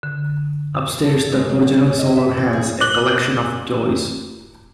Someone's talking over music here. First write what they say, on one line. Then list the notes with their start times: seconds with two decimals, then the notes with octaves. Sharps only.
Upstairs the original solar has a collection of toys.
0.03 D3
1.05 A4
1.33 G#3
1.50 F#3
1.70 G3
1.86 C#4
1.99 D#5
2.16 E5
2.37 E3
2.53 G#4
2.81 D6 F#6 F#7 G7